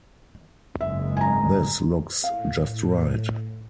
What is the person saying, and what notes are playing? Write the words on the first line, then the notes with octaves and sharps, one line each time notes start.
This looks just right.
F#1 G#2 G#3 E5
G#5 A#5
A2 F5